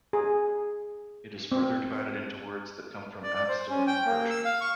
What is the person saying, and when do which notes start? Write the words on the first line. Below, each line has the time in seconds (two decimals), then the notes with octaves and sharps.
It is further divided into words that come from Avestan and Persian.
0.13 G#4
1.52 C4
3.23 D5
3.34 D5
3.48 C5
3.70 C#4
3.87 G5
4.06 A#3
4.30 E6
4.45 F5
4.61 C#6